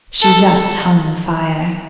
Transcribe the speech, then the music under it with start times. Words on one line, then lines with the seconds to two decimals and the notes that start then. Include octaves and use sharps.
She just hung fire.
0.22 A4